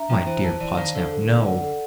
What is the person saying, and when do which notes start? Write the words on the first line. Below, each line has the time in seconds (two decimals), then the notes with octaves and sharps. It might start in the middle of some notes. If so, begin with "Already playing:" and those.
'My dear Podsnap, no.
Already playing: D4 E5 A#5
0.10 F3 G5
0.26 E3 C5
0.44 E3 A5
0.60 E3 D5
0.77 D#3 F5
0.95 D3 A4
1.12 A4
1.28 D5
1.46 F#5
1.63 A4